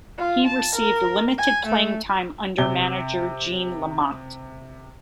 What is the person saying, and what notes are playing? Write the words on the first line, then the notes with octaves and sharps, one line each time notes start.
He received limited playing time under manager Gene Lamont.
F4
A5
A#4
G#5
A3
C3 G7